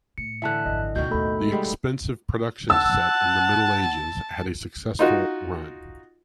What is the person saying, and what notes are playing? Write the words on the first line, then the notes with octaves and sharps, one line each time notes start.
The expensive production set in the Middle Ages had a successful run.
A2 C#7
D3 E3 E5 A5 F#6
G#1 F2 D#5
D2 B2 D#3 F#4 G6
A1 D#2 A3 A4 B5
G3 G#3 B3
F#5 A5 E6 F#6
D#4 F4 F#4